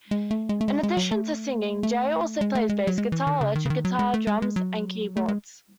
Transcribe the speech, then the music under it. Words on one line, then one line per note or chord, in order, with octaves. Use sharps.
In addition to singing, Jey also plays bass guitar, electric guitar, drums and keyboards.
G#3
A3
G#3
A3
G#3
G#3
F#3
A3
A3
G#3
A3
G#3
F#3
G#3
E3
D#3
C#3
D#3
C#3
D#3
F#3
G#3
A3
G#3
G#3
F#3
A3
G#3